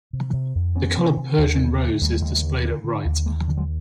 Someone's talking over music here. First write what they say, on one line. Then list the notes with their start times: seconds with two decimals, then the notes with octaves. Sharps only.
The color Persian rose is displayed at right.
0.13 C3
0.33 C3
0.55 F2
0.75 F2 B3 C#4
0.96 C3
1.17 C3
1.38 D#2
1.60 D3
1.80 D3
2.01 D#2 G3 A3
2.21 D#2
2.43 D3
2.64 D3
2.84 D3
3.05 D#2
3.26 D#2 G#3 A#3
3.47 D3
3.57 F#3 G#3